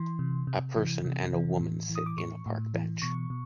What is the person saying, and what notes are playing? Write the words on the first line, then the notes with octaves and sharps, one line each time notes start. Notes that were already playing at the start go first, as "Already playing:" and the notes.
A person and a woman sit in a park bench.
Already playing: E3 C6
C3
C3
E3
C3
E3
A2
E3
D#6
D6
A2 C#6
A2
E3
B2 C#6
B2